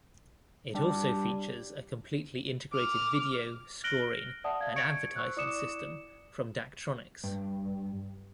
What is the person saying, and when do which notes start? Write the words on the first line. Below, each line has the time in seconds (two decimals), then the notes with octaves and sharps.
It also features a completely integrated video, scoring and advertising system from Daktronics.
0.74 G3 D4
2.72 D6 F6
3.84 F6 F#6 A#6 D7 F#7 G7
4.44 D5 E5 F#5 A5 D#6
4.60 F5 A5 G#6
4.76 C#6 G#6 C#7 D7
5.16 C5 C#6 E6 F#6
5.37 E4 D5 D6 D#6 C#7 E7
7.24 G2